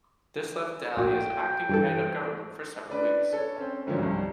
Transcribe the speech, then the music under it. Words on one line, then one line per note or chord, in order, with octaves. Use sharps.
This left Daly as acting head of government for several weeks.
A#1 F#4 G5
G2 E3 A4
D4 B4 D5
A4 C#5
C4 C#4
G#2 D3 D#3 F3 F#3
C2 G2